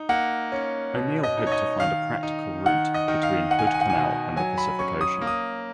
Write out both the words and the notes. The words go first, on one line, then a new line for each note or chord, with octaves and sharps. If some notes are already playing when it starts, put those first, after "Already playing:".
O'Neil hoped to find a practical route between Hood Canal and the Pacific Ocean.
Already playing: D#4
A#3 F#5
C#4
B2
D#5
D#4
C#5
D#5
D#3 F5
D#4
D#3 F#5
D#5
D#3
F5
D#4 F#5
G#5
F#5
G#5
F#5
G#5
B2 F#5
F#3 G#5
B5
C#4 C#6
D#6
A#3
D#6